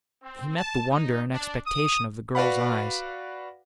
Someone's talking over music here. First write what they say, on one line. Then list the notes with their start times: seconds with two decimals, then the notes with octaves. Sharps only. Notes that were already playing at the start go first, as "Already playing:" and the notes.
He met the wonder and expectation of the girl's eyes.
0.22 C4
0.56 A5
0.90 D#4
1.32 D4
1.66 D#6
2.35 F#4 B4 D5 F5 F#5 B5